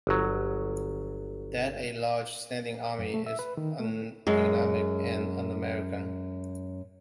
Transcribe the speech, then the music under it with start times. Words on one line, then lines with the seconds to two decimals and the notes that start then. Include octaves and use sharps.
That a large standing army is uneconomic and un-American.
0.07 G1 F#3
2.99 F#2
3.14 A3
3.26 E5
3.39 B4
3.57 D#3
3.80 A3
4.27 F#2 G#3